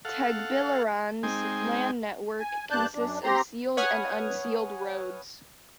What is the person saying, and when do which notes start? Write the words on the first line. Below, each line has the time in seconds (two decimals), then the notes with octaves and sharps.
Tagbilaran's land network consists of sealed and unsealed roads.
0.05 A4 F5 F#5
1.23 G#3 C4 D#4 G5 G#5
2.40 G#5
2.70 G2 D4 A5 F#6 G6
2.94 F#2 D4
3.24 C4 G4 A#5 C6
3.77 B4 C#5 F#5 G#5 D#6 F6